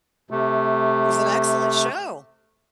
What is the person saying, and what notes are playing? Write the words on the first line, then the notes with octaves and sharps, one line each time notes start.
He's an excellent show.
C3 A3